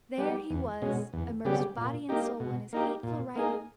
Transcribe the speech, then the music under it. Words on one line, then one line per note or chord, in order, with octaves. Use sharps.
There he was, immersed body and soul in his hateful writing!
G3 B3 G4
E2
B2 G#3 C#4
E2
C#3 G3 B3 G4
A#2
A#3 D#4 G4
B2
A#3 D#4 G4
A#2
A#3 D#4 G#4